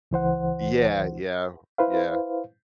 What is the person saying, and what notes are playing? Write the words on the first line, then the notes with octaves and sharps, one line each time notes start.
Yeah, yeah, yeah.
C#2 E3 C5 F#5
E4 B4 C5 F5